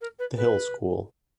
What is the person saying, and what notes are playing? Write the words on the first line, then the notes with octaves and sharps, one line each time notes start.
The Hill School.
A#4
B4
B4